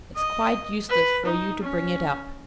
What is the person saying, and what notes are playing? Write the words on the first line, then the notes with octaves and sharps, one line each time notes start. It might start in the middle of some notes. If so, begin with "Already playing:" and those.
It's quite useless for you to bring it up.
D#5
B4
D#4
C#4